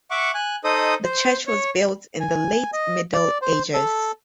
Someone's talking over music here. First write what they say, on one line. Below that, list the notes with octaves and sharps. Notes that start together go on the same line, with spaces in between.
The church was built in the late Middle Ages.
E5 F#5 C#6 D6
G#5 F#6
D#4 A4 C5 D#5 D#6
C5
C#5
G#5
D#5
D5
C5
A4